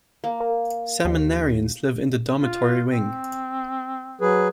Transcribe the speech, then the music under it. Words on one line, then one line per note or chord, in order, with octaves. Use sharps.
Seminarians live in the dormitory wing.
A#3
A#4
D#2
F4
C4
F#3 G#4 B4